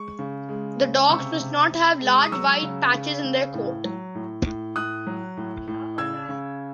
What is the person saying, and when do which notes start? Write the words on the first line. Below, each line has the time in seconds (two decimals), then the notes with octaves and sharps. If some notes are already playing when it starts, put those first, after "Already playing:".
The dogs must not have large white patches in their coat.
Already playing: G#3 C#6
0.19 C#3
0.49 G#3
0.80 C#3
1.10 C3 C#6 E6
1.40 C3
1.71 C3
2.02 G#3
2.22 D#6
2.32 F#3 C#6 E6
2.62 C#3
2.94 C#3
3.24 C#3
3.54 A2
3.85 F#3
4.15 A2
4.46 A2
4.76 A2 D#6 F#6
5.07 F#3
5.37 A2
5.67 A2
5.98 C#3 E6 G#6
6.29 C#3